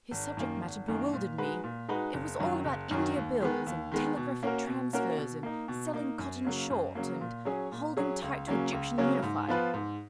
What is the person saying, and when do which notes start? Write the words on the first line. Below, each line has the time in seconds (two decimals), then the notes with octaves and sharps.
His subject-matter bewildered me. It was all about India Bills, and telegraphic transfers, and selling cotton short, and holding tight to Egyptian Unified.
0.11 G#1
0.37 F#2 D#3 A#3
0.62 G#1
0.88 F#2 D#3 A#3
1.13 A#2
1.38 G#3 D#4 F#4 B4
1.64 A#2
1.89 G#3 D#4 F#4 B4
2.14 F#1
2.39 F#2 D#3 F#3
2.64 F#1
2.91 F#2 D#3 F#3
3.16 D#2
3.40 D#3 G#3 B3
3.66 D#2
3.92 D#3 G#3 B3
4.17 B2
4.43 A#3 C#4 F#4 A#4
4.67 B2
4.93 A#3 C#4 F#4 A#4
5.17 B2
5.43 A#3 D#4
5.68 B2
5.93 A#3 D#4
6.19 F#2
6.44 C#3 F#3 A#3
6.70 F#2
6.95 C#3 F#3 A#3
7.21 A#2
7.45 F#3 C#4 G#4
7.72 A#2
7.97 F#3 C#4 G#4
8.22 C#2
8.47 C#3 F#3 A#3 C#4
8.73 C#2
8.98 C#3 F#3 A#3 C#4
9.22 G#2
9.48 F3 B3 F4 B4
9.74 G#2